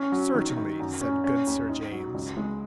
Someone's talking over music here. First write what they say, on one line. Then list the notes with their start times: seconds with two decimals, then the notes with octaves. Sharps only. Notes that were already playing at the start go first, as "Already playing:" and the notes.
"Certainly," said good Sir James.
Already playing: C#4
0.12 F#3
0.34 D#3
0.57 D#3
0.80 F#2
1.01 C#4
1.24 C#4
1.47 D#2
1.69 D#4
1.92 F#3
2.14 C#2
2.37 G#3